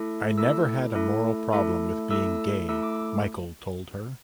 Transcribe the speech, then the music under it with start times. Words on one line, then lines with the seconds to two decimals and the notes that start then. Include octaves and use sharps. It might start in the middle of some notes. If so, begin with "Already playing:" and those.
"I never had a moral problem with being gay", Michael told her.
Already playing: A3 E4 A4
0.38 A3 E4 A4 E6
0.95 A3 E4 A4
1.53 A3 E4 A4
2.11 A3 E4 A4 E6
2.69 A3 E4 A4 E6
2.83 D6